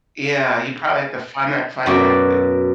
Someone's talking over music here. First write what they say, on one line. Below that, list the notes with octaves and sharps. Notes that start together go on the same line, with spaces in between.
Yeah, you probably have to finan finance it.
F#2 B2 F#4 D5 E5